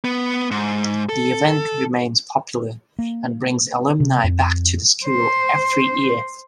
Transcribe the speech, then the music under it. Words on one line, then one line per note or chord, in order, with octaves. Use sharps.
The event remains popular and brings alumni back to the school every year.
B3
G#2
A4
A#3
C3
F2
C5